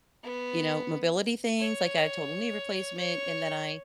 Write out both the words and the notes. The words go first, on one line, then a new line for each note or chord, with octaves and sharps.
you know, mobility things, like, a total knee replacement and then I
B3
C#5
C#5